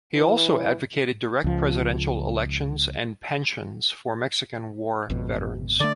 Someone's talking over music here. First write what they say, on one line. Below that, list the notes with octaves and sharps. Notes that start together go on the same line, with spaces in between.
He also advocated direct presidential elections and pensions for Mexican War veterans.
E3
C#2 F3
G#1 F2 B2
D3 A3 D5